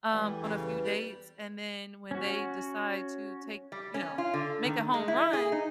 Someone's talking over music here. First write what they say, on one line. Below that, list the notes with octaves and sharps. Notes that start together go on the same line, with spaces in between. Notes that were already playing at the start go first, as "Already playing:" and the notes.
um, on a few dates and then when they decide to take, you know, make a home run,
E3 G3 G#3 E5 F#5
E2 G#4 A4
C#3
B4
G3 B3
C#4 F#4
G3
C#4
F4
D3
D#3
G#3
E4
G#4
D#4